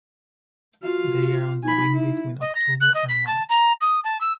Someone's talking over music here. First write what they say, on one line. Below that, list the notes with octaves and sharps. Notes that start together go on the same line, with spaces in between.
They are on the wing between October and March.
F4 F#4 F5
D#4 G#5 B5
E4
D#5
A#6
F#6
D#5
B6
A5
A#5
D#6
A5
E6